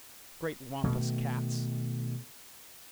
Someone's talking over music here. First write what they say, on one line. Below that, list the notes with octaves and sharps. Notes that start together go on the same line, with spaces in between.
Great Wampus Cats!
B2 D#3 A3